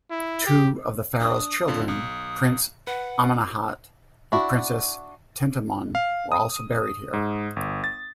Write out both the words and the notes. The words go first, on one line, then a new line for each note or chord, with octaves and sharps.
Two of the pharaoh's children, Prince Amenemhat and Princess Tentamun were also buried here.
E4
G4
D4 D#6
F2 D3 F4
B1 D#6
B4 F#5
D4 E4 F#4
F5
D#6
G#2
G1
A6